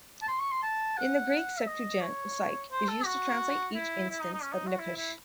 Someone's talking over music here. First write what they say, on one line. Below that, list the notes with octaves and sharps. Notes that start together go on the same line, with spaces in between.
In the Greek Septuagent psyche is used to translate each instance of nephesh.
A5
C6
C#6
C6
A5
F#5
E5
D#5
C#5
C5
A4
F#4
E4
E4
D#4
D#4
C#4
D#4
F#4
E4
E4